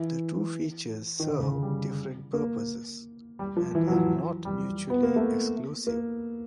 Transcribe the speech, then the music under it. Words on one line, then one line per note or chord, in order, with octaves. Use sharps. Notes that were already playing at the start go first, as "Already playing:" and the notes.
The two features serve different purposes and are not mutually exclusive.
Already playing: E3
D#3
D3
C#3
G3
A#3
G3
F3
E3
F#3
F3
G3
B3
A#3
A3
A#3